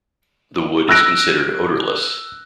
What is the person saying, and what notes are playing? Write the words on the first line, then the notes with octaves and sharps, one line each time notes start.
The wood is considered odorless.
E6 F#6 A#6 D7